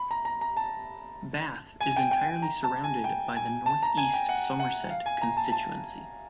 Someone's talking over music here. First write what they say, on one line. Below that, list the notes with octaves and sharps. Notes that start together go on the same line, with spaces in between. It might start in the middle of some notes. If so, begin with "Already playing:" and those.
Bath is entirely surrounded by the North East Somerset constituency.
Already playing: B5
A#5
A#5
A#5
A5
G#5
G5
G5
G5
A#5
A5
G#5
G5
G#5
A5
A#5
G#5
G5
F#5
F#5
F5
G#5
A#5
A5
A5